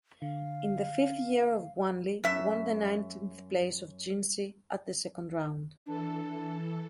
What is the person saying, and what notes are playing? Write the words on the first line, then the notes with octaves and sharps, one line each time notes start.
In the fifth year of Wanli, won the nineteenth place of Jinshi at the second round.
D3 F5
F#2 E5
E3 D4 A4